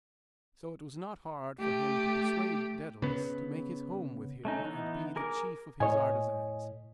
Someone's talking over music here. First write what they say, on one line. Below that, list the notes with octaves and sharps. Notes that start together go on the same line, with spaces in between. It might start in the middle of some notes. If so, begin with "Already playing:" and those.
So it was not hard for him to persuade Daedalus to make his home with him and be the chief of his artisans.
A3 G4
C#3 B3
A3 C#4 D#4
E3 B3 D#4
G#4 A#4 D6
A2 C#5 D#5 G#5